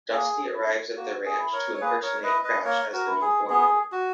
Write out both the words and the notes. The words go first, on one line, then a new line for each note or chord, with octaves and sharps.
Dusty arrives at the ranch to impersonate Crash as the new foreman.
A#3 G#4
E4
A#3 F#4
G#4
E4
A#4 C#5
C#5
A#3 G#4 B4
A#4 C#5
E4 B4 D#5
B4 D#5
A#3 A#4 C#5
F#4 A#4
E4
G#4
B3 G#4
F#4